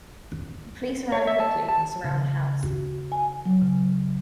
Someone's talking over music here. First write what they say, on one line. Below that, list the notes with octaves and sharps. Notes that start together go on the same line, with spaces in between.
The police arrive quickly and surround the house.
C#5
E5
A5
A5
C#3
F#4
G#5
F#3
C#3